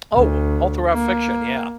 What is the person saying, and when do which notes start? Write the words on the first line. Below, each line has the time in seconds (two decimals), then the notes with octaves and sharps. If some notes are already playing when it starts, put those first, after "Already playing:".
Oh, all throughout fiction, yeah.
0.13 D2
0.91 A#3